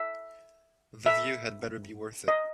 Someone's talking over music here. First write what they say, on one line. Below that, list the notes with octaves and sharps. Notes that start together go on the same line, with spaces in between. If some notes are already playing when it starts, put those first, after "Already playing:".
The view had better be worth it.
Already playing: E5
E5
D#5